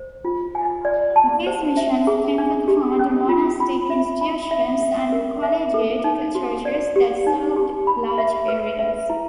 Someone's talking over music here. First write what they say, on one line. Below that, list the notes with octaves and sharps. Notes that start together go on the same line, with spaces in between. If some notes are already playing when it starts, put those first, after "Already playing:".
These missions tended to found monastic institutions and collegiate churches that served large areas.
Already playing: C5
F4
G#5
D5
A5
C5
E5
G#4
D4
G4
C#4
F4
B5
E5
B5
E5
E5
A#4
E5
A4
D#4
F#4
D5
G4
D#4
G4
B5
E5
B4
E5
E4